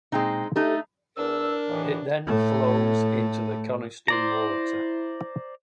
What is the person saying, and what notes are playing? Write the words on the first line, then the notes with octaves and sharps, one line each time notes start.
It then flows into the Coniston Water.
A#2 G#3 C4 D#4 G5
A3 D#4 G4 A4
E2 D4 A#4 E6
D#2 A2 E3
A2 A3
E4 C5 D5 A#5